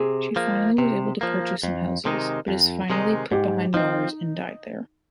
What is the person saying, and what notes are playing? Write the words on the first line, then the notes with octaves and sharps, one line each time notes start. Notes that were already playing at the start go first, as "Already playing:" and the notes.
She finally was able to purchase some houses, but is finally put behind bars and died there.
Already playing: C3 G#4
F3 A#3
C3
F3 A#3
F2
C3 D#3 G#3 D#4
F2
C3 D#3 G#3 D#4
G#2 G4
F3 C4 D#4